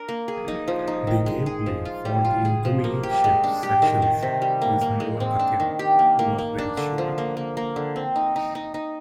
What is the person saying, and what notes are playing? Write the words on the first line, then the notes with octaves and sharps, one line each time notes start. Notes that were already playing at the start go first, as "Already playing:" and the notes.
The gameplay for the Gummi Ship sections is more akin to a rail shooter.
Already playing: D4 A#4
A#3
G#4
D#4
F3
D#4
D#3
G#3
G#4
F3
F4
G3
F4
G#4
F3
A#3
G4
G#3
D4
G4
D#3
D#3
C3
G3
A#3
A#3
G#3
C4
D4
D#3
G4
A#3
A#3
A#3
D4
D3
F3
A#3
A#3
A#3
D3
C4
D#4
D#4
D#4
D#4